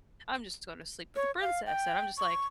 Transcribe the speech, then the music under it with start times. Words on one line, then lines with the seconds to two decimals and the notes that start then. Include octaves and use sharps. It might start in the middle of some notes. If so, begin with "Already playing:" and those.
"I'm just gonna sleep with the princess," and I'm just like,
1.16 C#5
1.41 F5
1.66 G5
2.18 C#6